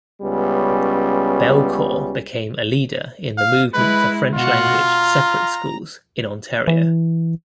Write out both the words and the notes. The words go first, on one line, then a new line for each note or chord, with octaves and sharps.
Belcourt became a leader in the movement for French language Separate Schools in Ontario.
C#2 G3 B3 C#4
F5
G#3 E4 B4
B2 F4 F#4
A#5
E3